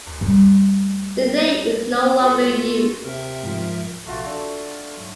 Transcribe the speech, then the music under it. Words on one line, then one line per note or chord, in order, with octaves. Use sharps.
The name is no longer used.
G3 A3
F4 F#4 A4
C3 A#4 E5
G#2 F3
A#1 C3 A3 F4 F#4 A#6
D4 A4 D5
G#2 F#3